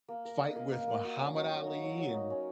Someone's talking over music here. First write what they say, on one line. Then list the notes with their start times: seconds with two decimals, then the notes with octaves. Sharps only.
fight with Muhammad Ali and
0.08 A#3
0.25 A#4
0.41 D#5
0.56 A#3
0.72 A#3
0.88 A#3
1.04 F#4
1.19 C#4
1.36 F#3
1.51 F#4
1.67 D#4
1.82 F#3
1.99 F#3
2.14 D#4
2.30 C#4